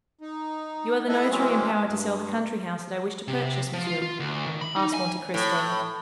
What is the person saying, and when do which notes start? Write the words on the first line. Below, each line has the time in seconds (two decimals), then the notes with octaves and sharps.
"You are the notary empowered to sell the country house that I wish to purchase, monsieur?" asked Monte Cristo.
0.21 D#4
1.08 E4 A4 B4 D#5 E5
1.29 E3 F#3 G#3 C4 C#4
1.88 G2
3.28 C3
3.73 F3
3.87 F4
4.02 F4
4.20 D2
4.47 D#3
4.61 B5
4.76 D#4
4.94 G#5
5.34 A2